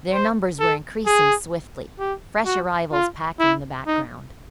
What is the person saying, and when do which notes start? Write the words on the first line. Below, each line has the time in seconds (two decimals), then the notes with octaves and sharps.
Their numbers were increasing swiftly, fresh arrivals packing the background.
0.13 C5
0.60 A4
1.06 G#4
1.99 G4
2.45 F#4
2.92 F4
3.40 E4
3.86 D#4